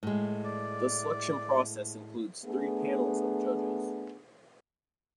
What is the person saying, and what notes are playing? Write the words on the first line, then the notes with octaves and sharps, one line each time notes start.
The selection process includes three panels of judges.
A2 G#3
D5
A3 B3 D4 G#4